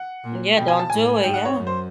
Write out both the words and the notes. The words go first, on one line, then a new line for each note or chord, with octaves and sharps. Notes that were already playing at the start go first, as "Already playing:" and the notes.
Yeah, don't do it. Yeah.
Already playing: F#5
A#2
B2 G5
G#5
A5
A2 G#5
G#2 G5
F#5
C#5
F#2
C5